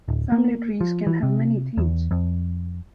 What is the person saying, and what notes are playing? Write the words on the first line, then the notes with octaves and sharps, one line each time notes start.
Family trees can have many themes.
D1
A#3
F3
E3
C3
E2
F2